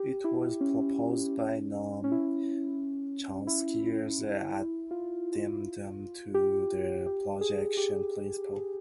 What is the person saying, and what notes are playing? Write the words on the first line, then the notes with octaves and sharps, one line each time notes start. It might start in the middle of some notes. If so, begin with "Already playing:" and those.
It was proposed by Noam Chomsky as an addendum to the Projection Principle.
Already playing: G4
E4
C#4
C#4
E4
C#4
E4
F4
G4
G4
G#4
G4